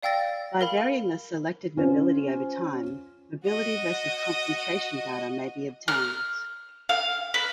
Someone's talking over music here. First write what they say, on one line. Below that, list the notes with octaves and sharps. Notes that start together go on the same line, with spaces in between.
By varying the selected mobility over time, mobility versus concentration data may be obtained.
D5 F5 G5 E6 A6 A#6
A#4 F5 B5
C#4 F4 C5
F#4 D#5
F6
F5
B4